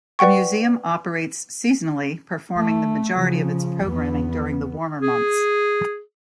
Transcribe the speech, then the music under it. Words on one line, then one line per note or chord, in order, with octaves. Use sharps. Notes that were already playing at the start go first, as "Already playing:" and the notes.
The Museum operates seasonally, performing the majority of its programming during the warmer months.
B4 D5 F#5 G5 C#6
A3
C#3 F3
E2 B3
G#4